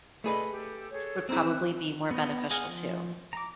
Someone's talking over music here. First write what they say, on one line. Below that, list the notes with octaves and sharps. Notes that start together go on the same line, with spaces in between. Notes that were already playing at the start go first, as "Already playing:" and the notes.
would probably be more beneficial too.
A3 G#4 B4 D5 D#5 B5
G4 A4
G#4 A4 C#5
C4 E4 G#4 C5 A#5
F#6
B3 D#5
G#4 D#5 F5 F#5 G#5
F3
A#5 D6